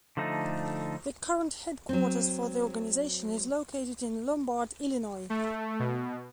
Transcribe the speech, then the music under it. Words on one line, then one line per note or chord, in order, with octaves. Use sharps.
The current headquarters for the organization is located in Lombard, Illinois.
D3 F3 A3 D#4
F#3 C4
A3
B2